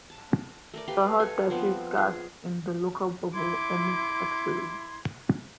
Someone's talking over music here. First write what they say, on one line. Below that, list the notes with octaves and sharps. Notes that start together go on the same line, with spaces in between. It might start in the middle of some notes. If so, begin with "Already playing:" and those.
The hot diffuse gas in the Local Bubble emits X-rays.
A5
A3 A#4 D5
G4 B4 F5 G5
A4 F5 G#5
F3 B3 C4 D5
G#4
E4 C6 D6 G#6